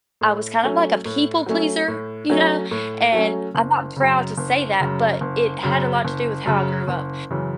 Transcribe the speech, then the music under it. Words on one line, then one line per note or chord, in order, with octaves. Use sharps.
I was kind of like a people pleaser, you know, and I'm not proud to say that, but it had a lot to do with how I grew up,
A2
F#3 A3 C#4
A2
F#3 A3 C#4
A2
F#3 A3 C#4
A2
F#3 A3 C#4
F#1
F#2 C#3
F#1
F#2 C#3
F#1
F#2 C#3
F#1
F#2 C#3
F#1
F#2 C#3 E3